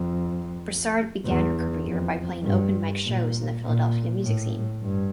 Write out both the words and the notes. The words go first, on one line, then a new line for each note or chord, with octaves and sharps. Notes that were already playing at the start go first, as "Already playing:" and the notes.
Broussard began her career by playing open mic shows in the Philadelphia music scene.
Already playing: F2
E2
F2
G2
A#2
A#2
A2
G2